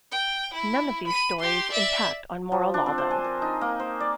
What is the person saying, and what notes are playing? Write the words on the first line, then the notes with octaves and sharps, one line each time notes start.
None of these stories impact on moral law though.
G5
E4
B5 D#7
G4 C6
D5 E5
F3
D4
C4
C5
G#5
A#4
D#4
A#3
C5
D5